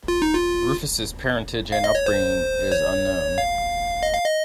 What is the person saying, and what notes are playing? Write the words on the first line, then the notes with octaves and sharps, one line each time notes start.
Rufus' parentage and upbringing is unknown.
F4
D#4
F4
F5
D#5
C#5
C5
C#5
F5
D#5
F5
D#5